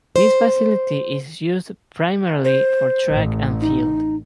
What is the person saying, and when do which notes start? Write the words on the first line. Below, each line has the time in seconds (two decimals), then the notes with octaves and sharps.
This facility is used primarily for track and field.
0.16 C5
2.44 C5
3.08 A1
3.61 D#4